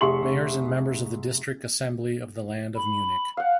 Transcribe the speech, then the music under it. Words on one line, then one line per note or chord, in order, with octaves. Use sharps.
Mayors and members of the District Assembly of the Land of Munich.
F1 G#4 E5 C6 C#6 F#7
B5
F5 F#5